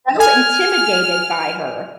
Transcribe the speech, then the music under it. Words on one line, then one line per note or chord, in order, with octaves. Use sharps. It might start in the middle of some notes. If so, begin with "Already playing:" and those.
so intimidated by her.
G#5 F6